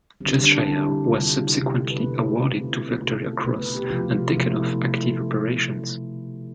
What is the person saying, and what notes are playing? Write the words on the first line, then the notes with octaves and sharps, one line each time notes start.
Cheshire was subsequently awarded the Victoria Cross and taken off active operations.
D3 G3 C4
D4
D3 G3 E4
C3 G3 F4
E4
G4
C3 G3 G4
A4
B4
B2 A3 A4
G4
F4
C4
B2 A3 E4
B2 A3 F4
A4
B2 A3 B4
B4
G4
C3 F3 A3 F4
C3 F3 A3 E4